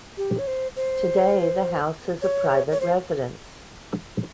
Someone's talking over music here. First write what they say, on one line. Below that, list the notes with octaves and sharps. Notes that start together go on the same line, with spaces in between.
Today the house is a private residence.
G4
C#5
C5
C5
C#5
C#5
C5